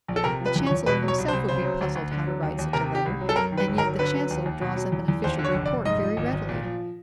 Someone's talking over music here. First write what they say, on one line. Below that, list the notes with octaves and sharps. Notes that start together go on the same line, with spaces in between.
The chancellor himself would be puzzled how to write such a letter, and yet the chancellor draws up an official report very readily.
A#1
A4
C3 A#4
F3
B4
E2
C#5
E2
B2 B4
F#3
C#5
C2
C5
C2
C#3 C5
F#3
D2
D2
D3
F#3
D#2
D#2
C3 A#4
D#3
G4
C2
F#3
A4
F#2 A#4
D#3
B4
G1
A#4
F#3
D3 B4
F#3
D#2
D#2
B2
F#3
E2
E2
D#2 C5
D3
C#5
F1
D5
F1
G#2 D#5
F3
G#1
G#1
A#2
F3